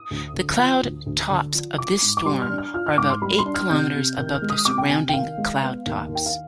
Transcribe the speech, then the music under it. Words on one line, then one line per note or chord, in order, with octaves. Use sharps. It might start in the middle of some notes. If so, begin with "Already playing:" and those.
The cloud-tops of this storm are about eight kilometres above the surrounding cloud-tops.
Already playing: D#6
D2
D3
F3
D2
D2
D3
F3
F4 D6
G#2
D6
G3 C6
F6
D4
F6
F4 F6
F6
G#2 D6
C6
G3 B5
C6
D4
F6
C3 G6
C3
D#3 G6
F6
G#3
D#6
C3 D6
G5
C3 G#5
G5
D#3 F5
G#3
B3
D#2
D#3
G5
F5